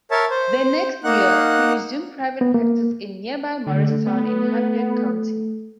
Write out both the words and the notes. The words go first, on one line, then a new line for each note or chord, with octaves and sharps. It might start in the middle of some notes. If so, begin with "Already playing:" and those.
The next year, he resumed private practice in nearby Morristown, in Hamblen County.
A#4 C#5 E5 A5
C5
A#3 D#4 F#5 F#6
B3
A#3
D3 A3
B3